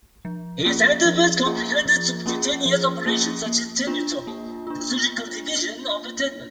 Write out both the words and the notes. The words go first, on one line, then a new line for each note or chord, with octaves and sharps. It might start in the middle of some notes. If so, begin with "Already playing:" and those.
His endeavours comprehended subcutaneous operations such as tenotomy, the surgical division of a tendon.
F3
A#3 C#4 F4 G#4
F3
A#3 C#4 F4 G#4
F3
A#3 C#4 F4 G#4
F3
A#3 C#4 F4 G#4
A#3
D4 F4
A#3
D4 F4